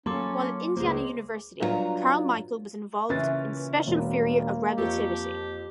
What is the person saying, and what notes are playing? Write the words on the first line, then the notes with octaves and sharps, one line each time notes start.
While at Indiana University Carmichael was involved with special theory of relativity.
F#3 A#3 C#4 F4 A4 C6 D6
C#2 G#3 A#3 C5
G2 F#3 E4 F4 A#5
A#2 C#3 E3 C#4 A6
E1 A#3
F2 G4 A4 C#5 G5